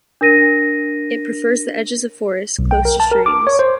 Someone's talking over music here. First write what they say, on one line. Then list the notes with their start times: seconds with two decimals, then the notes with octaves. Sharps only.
It prefers the edges of forests, close to streams.
0.21 D4 A#4 A#6 D#7
2.59 B1
2.71 G5
2.85 A#4
3.00 A5
3.12 A#4
3.26 D6
3.47 C#5
3.59 C5